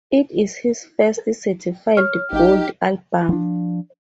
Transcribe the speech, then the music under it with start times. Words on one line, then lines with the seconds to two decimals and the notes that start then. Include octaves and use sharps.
It is his first certified Gold album.
1.97 C#5 F6
2.32 A1 D#4 G4
3.29 F3 D4